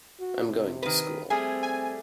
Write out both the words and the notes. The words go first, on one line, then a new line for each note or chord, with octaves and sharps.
I'm going to school.
F#4
C3
D#3 B4
G3 A3 C4 G#4 G#5
G#5